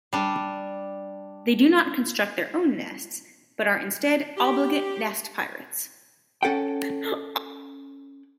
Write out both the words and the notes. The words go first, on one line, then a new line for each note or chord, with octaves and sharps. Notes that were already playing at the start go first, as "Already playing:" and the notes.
They do not construct their own nests, but are instead obligate nest pirates.
G3 D4
G4
C#4 A4 F#5 G5